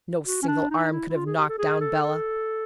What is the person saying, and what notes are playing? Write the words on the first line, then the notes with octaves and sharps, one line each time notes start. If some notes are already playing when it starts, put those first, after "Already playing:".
No single arm could have knocked down Bela.
F#4
C#4
D4
D#4
E4
E4
F4
G#4
G4
A4
G#4
A4
A4